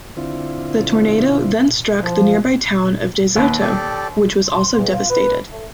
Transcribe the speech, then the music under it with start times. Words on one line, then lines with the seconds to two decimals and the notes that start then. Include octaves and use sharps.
The tornado then struck the nearby town of De Soto, which was also devastated.
0.17 D3 C4 E4 F4
2.02 F3
3.36 D#2 B4
3.61 G4 A4 D5
4.47 C6
4.66 C6
4.78 E2
4.94 F4
5.10 B4
5.51 A3